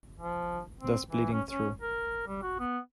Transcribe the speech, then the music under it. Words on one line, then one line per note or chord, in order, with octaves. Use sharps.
Thus Bleeding Through.
F3
C4
E3
C#4
C#4
A#4
G3
F#4
B3